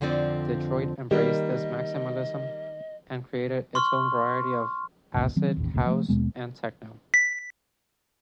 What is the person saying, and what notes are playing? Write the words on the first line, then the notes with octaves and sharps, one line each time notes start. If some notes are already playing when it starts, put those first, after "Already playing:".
Detroit embraced this maximalism and created its own variant of acid house and techno.
F2 D3 F3 C4 D5
D#3 G3 A#3 D#5
C6 C#6 F6
G1 C#2 A#2
D#3 F#3 C4
A1 D#2
F1 C#2 A#2
F3 A3
D#2 B2 G#3 B3
B6